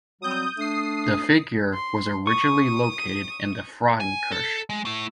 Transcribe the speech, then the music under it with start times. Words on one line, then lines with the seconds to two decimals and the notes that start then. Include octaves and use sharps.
The figure was originally located in the Frauenkirche.
0.22 F#3 G3 C4 D#6 G6
0.58 A3 D4 D#6 C7
1.73 C6
2.27 C#6 D#6
4.00 G#5
4.32 A4
4.70 G#3
4.85 A3 E4